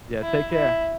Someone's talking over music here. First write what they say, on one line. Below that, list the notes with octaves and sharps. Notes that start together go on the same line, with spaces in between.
Yeah, take care.
E4
E4